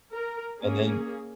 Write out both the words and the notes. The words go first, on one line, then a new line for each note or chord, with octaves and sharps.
and then,
A#4
A#3 C#4 G#4